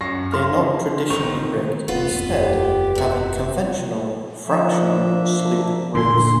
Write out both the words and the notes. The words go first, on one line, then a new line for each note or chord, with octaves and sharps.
They are not traditionally rigged, instead having conventional fractional sloop rigs.
F#2 C#6 A#6 C7
F5 C6 F6
G1 D#3 C4 C#6 F7
F#1 E2 B3 F4
G4
F#4 E5
F3 A#3 D4 E5
A#2 D3 C6